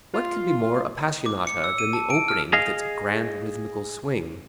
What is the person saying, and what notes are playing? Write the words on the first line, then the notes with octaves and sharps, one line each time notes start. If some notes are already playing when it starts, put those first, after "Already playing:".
What can be more "appassionata" than the opening with its "grand rhythmical swing"?
F4
D6
C#7
E6
D#7
A5
D7
F6
G#4 D#5 F5